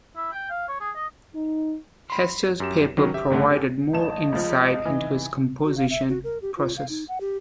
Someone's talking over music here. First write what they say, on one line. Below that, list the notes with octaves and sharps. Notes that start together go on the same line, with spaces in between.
Hester's papers provide more insight into his composition process.
E4
G5
F5
C#5
G#4
D#5
D#4
B5 C6
F#2 G4 E7
D#3 F#3 C#4
G4 E5
G2 D3 A3 F#5
C#4 G4 A4
G#1 D#5 A5 E7
C#2 F3
E3 D#4
F#4
F5
E5
F#4
A#4
G4
F4
F5
D#4
F#5
G4